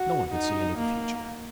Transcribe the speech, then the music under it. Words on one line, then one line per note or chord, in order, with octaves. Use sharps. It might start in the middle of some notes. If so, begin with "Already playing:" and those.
No one could see into the future.
Already playing: F#4
D#4
A#3